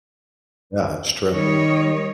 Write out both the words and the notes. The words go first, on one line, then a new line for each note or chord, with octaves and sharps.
Yeah, it's true.
D#3 G3 C#5 D#5